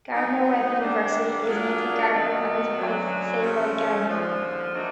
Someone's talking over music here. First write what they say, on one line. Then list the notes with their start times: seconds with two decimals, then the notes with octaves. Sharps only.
Gardner-Webb University is named for Gardner and his wife, Fay Webb Gardner.
0.13 F#3 B3 D#4
0.80 E3 G3 A#3 D4
1.46 F#3 A#3 D4 F4 G#4
2.11 D#2 D#3 F#3 B3
2.77 F#2 D3 F#3
3.42 C#3 F3 A3 C#4
4.08 D#2 D3 F3
4.74 D#3 F#3 A3 D4